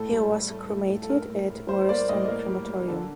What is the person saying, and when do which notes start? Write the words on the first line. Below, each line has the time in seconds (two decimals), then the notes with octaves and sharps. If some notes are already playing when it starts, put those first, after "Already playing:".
He was cremated at Warriston Crematorium.
Already playing: A2 A3 A4
0.11 G3
0.30 A2
0.50 A3
0.70 A2
0.90 A2
1.03 A4
1.09 A3 A#4
1.30 A2
1.50 A2
1.69 G3 C5
1.89 A#3 D5
2.09 A2 D#5
2.28 A#3 A#4
2.48 G3
2.68 G3
2.88 D3 A4